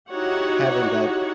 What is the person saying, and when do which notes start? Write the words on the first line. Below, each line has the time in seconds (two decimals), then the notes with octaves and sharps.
having that
0.11 D#4 E4 F#4 G4 C#5 F#5